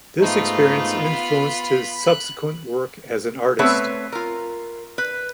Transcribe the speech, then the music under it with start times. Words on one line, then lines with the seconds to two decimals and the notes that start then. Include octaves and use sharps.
This experience influenced his subsequent work as an artist.
0.20 G#2 A3 B3 D#4 F4
1.04 B5
2.06 F#6
3.59 A3 B3 C4 B4 C#5 E5
4.12 F4 A#4
4.98 B4